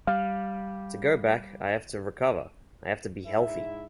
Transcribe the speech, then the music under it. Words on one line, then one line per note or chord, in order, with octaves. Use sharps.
To go back, I have to recover, I have to be healthy.
G3 F5
G#2 E4 E5